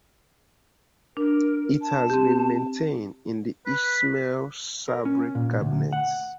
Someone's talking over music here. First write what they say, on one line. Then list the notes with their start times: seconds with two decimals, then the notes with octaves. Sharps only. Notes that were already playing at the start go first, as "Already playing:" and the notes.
It has been maintained in the Ismail Sabri cabinet.
1.17 D4 A#4
1.82 A5
2.10 C4 G4
3.66 B4
4.88 A#4
5.05 C#4
5.35 A#2
5.61 D2
5.93 F#5